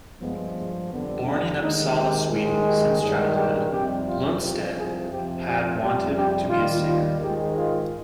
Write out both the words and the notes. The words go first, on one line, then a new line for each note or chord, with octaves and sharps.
Born in Uppsala, Sweden, since childhood, Lundstedt had wanted to be a singer.
G2 F3 G#3 B3
G#3
F2 D3 G3 B3
D4
D#2 D#3 G#3 D#4
G4
D#2 D#3 G#3
G4
G2 D#3 G#3 G#4
G4
F2 C3 G3 G4
F4
C2 C3 F3 G4
G#4
F2 C3 F3 G4
G4
F2 C3 G3 G4
G4
D#2 D#3 G3 F4
F4
G#2 D#3 G#3 G4
F4